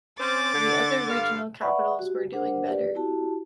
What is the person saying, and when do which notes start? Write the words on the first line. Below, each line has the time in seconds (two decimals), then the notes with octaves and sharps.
The other regional capitals were doing better.
0.20 C4 C#4 D6 A6
0.54 D3
1.08 G2 D3 F5
1.61 B4 D5 E5 F#5 B5 C#6
1.99 F#4 G4
2.33 D4 A#4 C5 F#5
2.67 G4 B4 D5
2.95 E4 F#4 G4 A5